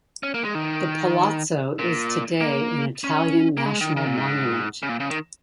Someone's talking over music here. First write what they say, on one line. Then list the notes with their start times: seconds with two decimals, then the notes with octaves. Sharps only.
The palazzo is today an Italian national monument.
0.23 C#4
0.34 A#3
0.45 G#3
0.55 D#3
1.79 A#2
2.41 A#3
3.04 C#4
3.57 A#3
3.66 G#3
3.81 D#3
3.97 D#3
4.07 A#2
4.17 G#2
4.83 C#3
4.89 A#2
5.00 C#3
5.10 D#3